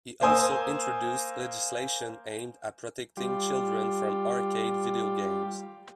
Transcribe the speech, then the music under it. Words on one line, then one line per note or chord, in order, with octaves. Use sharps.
He also introduced legislation aimed at protecting children from arcade video games.
A#3 C5 G#5 D#6 E6
G3 F4 G4